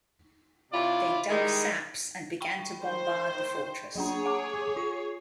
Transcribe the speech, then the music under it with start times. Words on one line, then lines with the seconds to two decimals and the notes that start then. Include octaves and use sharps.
They dug saps and began to bombard the fortress.
0.72 C3 E4 F4 C#5 D5
1.29 D#3 G3 G#3 D#4 E4
2.41 G5 B5 C#6
2.83 D#3 C5
3.96 F#3 A#3 D4 G#4 C#5
4.26 F#5 D6
4.77 F4 C7